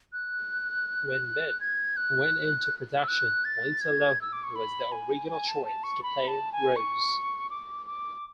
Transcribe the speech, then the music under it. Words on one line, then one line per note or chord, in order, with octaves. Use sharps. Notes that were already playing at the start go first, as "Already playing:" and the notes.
When "Bette" went into production, Lindsay Lohan was the original choice to play Rose.
F#6
G#6
F#6
E6
F#6
A6
G#6
E6
D6
C#6
B5
G#5
G#5
A5
A5
C#6
B5
A5
G#5
C#6
D6
D6